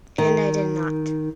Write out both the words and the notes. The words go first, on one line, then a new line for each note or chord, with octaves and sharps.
And I did not.
D#3